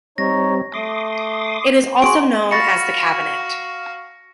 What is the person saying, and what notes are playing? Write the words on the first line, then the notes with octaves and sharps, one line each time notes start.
It is also known as the cabinet.
G3 C4 D#4 C#5 A#6
A3 C6 D6 D#6
F#4 G#4 C6 D7
F#4 F5 B5 C#6 A6 A#6 C#7